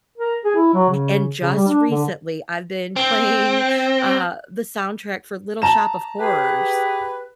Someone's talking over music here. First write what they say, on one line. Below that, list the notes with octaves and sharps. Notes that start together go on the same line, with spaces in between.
and just recently, I've been playing, uh, the soundtrack for Little Shop of Horrors,
A#4
G#4
E4
F#3
C#3
C#3
G3
D4
D3
C4
A5 A#5 E7
G4 G#4 B4